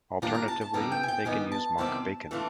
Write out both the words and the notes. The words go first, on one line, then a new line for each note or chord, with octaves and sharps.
Alternatively they can use mock bacon.
D#3 G3 A#3 D4 F4 A#5
A#5
A5
A5
G2 D3 G3 B3 A#5
G5
G#5
G5
D#3 G3 B3 D#4 G#5
A5
E2 C3 D#3 G3 C4 A5
E3 A3 D4 F4